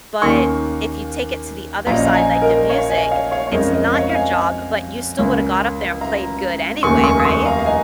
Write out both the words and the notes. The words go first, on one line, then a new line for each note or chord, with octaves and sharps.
but if you take it to the other side, like the music, it's not your job, but you still woulda got up there and played good anyway, right?
D#2 D#3 A#3 C#4 G#5 C#6
A#1 A#2 F3 C#4 F5 A#5
D#5
F5
D#5 G#5
A#4 D#5
C#5 F5
D#5 G#5
C#5 F5
C#5 F5
C#5
F2 F3 G#3 C#4 A#4 D#5
A#4 D#5
C#5 F5
F5
D#5 G#5
C#2 C#3 A#3 C#4
F5 A#5
F1 D#2 C#3 A#3 G#5 C#6
G#5 C#6
D#6
G#5 C#6
F5 A#5
F5
D#5 G#5